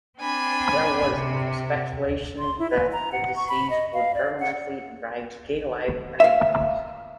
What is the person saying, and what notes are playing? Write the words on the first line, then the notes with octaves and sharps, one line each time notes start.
There was speculation that the disease would permanently drive gay life underground.
C4 D4 G#5 B5
C3
C6
E4
B4
A#5
F#5
C#6
B5
D#5
F5
D5
F#5
E5 F5